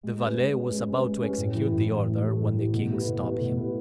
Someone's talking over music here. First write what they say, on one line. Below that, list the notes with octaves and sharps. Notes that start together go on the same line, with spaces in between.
The valet was about to execute the order, when the king stopped him.
G#3
C#4 G#4 B4
G#3
C#4 G#4 B4
G#3
C#4 G#4 B4
G#3
C#4 G#4 B4
A2
E3 A3 E4
A2
E3 A3 E4
A2
E3 A3 E4
A2
E3 A3 E4
B2
A3 E4 B4
B2
A3 E4 B4
B2
A3 E4 B4